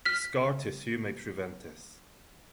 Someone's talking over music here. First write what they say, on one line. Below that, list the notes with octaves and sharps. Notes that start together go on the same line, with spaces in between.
Scar tissue may prevent this.
F6 B6